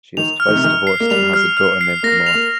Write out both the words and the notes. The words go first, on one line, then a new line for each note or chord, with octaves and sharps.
She is twice divorced, and has a daughter named Camilla.
D#3 F7
F6
D#3
C3
D#3 F6
C7
A#3
G3 F7
F6
F6
C7
A#3 A#6
F7
A#3